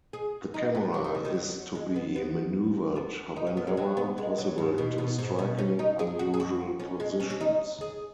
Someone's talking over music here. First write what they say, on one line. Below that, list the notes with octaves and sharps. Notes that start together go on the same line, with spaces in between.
The camera is to be maneuvered, whenever possible, into striking, unusual positions.
G#4
D#4
B3
F#3
D#3
C#3
D#3
F#3
G#3
B3
B3
B3
D#4
C#4
B3
G#3
F#3
B3
G#3
F#3
G#2
B2
B2
G#2
B2
C#4
D#4
G#4
F#4
G#4
F#4
C#4
G#3
C#4
C#4
D#4
G#4